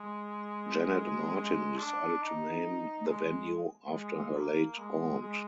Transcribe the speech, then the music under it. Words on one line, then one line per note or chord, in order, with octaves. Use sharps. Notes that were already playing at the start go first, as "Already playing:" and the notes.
Janet Martin decided to name the venue after her late aunt.
Already playing: G#3
G#3
D4
D#4
G#3
G#3
A#3
G#3
G#3